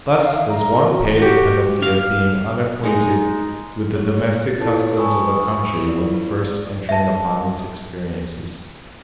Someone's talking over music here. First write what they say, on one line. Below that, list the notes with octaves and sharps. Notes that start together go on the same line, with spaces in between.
Thus does one pay the penalty of being unacquainted with the domestic customs of a country when first entering upon its experiences.
F5
E5
A#5
A#4
F#4
F#4 G4
F5
G#3 D#4
C#5
A6
E4 F4 A4 B4 C#5 A5
G#5 B5 C#6 D#6 E6
E4 F4 B4 D5
E5 A5